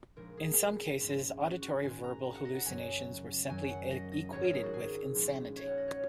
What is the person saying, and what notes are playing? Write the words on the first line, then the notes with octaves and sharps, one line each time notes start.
In some cases, auditory verbal hallucinations were simply equated with insanity.
A#1 A#2 G#3 D#4 A#4
G#4
A#1 G#2 G#3 C#4
F#4
F#4
G#2 D#3 G#3 G#5
A#5
A#5
F#5
D#5
F#5
F#1 F#2 F#3 G#5
F#2 D#3 F#3 G#5
F#5
D#5
D#5
G#1 G#2 F#3 D#4 C#5
A#4
G#4
F#4
G#4
A#1 A#2 G#3 C#4
C#5
F#5
D#5
C#5